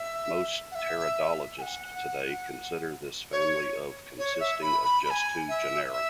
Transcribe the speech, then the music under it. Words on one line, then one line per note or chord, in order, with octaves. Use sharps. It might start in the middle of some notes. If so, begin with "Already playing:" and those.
Most pteridologists today consider this family of consisting of just two genera.
Already playing: E5
F#5
E5
G#5
F#5
C#5
C#5
E5
B5
B5
B5
G#5
E5
E5